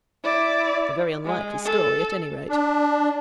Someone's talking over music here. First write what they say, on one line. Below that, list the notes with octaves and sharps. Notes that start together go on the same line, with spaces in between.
It's a very unlikely story, at any rate.
E4 D5
G#3
A4
D4